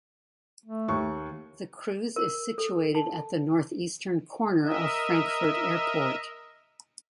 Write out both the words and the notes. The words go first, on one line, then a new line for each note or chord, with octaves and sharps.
The Kreuz is situated at the northeastern corner of Frankfurt Airport.
A3
D#2 C#6
A#4
A4
A5
A#4 D#5 E5